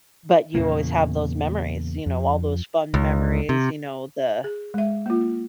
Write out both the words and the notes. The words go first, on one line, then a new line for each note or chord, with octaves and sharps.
But you always have those memories, you know? All those fun memories, you know, the
E2 A#2 C#3 A#3
F2
C#2
C3
G#4
G#3 E5
A#3 F4